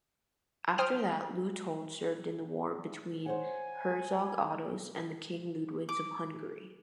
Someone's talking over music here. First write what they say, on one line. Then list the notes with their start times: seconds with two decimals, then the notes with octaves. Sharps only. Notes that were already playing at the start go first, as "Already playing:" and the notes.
After that Leutold served in the war between Herzog Ottos and the king Ludwigs of Hungary.
0.78 C5 G5 D#6 F6
3.26 C5 C#5 F#5 G#5
5.89 D6